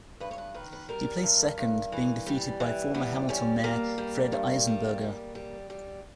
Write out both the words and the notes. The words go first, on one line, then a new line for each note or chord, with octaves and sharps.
He placed second, being defeated by former Hamilton Mayor Fred Eisenberger.
G2 B4
C#5
B4
D#3 B4
B4
G3 A#4
G2
G2
E3
G3
E3
G3 B3
G3 C#4
G3 A#3
G3
G2
G3
G3
G3
G3